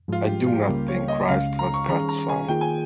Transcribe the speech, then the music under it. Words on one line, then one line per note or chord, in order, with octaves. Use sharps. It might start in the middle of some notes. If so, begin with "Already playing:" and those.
I do not think Christ was God's son.
G#2 F3 G#3 F4
G4
F4
G4
C#2 C#3 G3 A#3
C#5
D#5
C#2 C#3 G#3 F5
A#5
C#6
D#3 G3 C#4 G#4 A#5
A#5
G#5
D#3 A#3 F4 G#4 G5
G#5